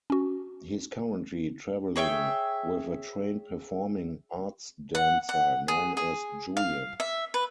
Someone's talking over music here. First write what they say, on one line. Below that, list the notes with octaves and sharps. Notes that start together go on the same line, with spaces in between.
He is currently traveling with a trained performing arts dancer known as Julian.
C#4 F#4
G#4 C#5 E5 G5
F#5
F#5
G#4
G#4
F5
E5
B4